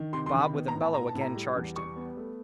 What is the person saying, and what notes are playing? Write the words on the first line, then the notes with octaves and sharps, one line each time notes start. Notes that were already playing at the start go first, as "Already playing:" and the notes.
Bob with a bellow again charged him.
Already playing: D#3
C3 C6
C6
D#3
B5
B3
A#5
A2
A5
B3 A#5
A5
A2
A#5
G3
E2
G3 C#6
B3
A3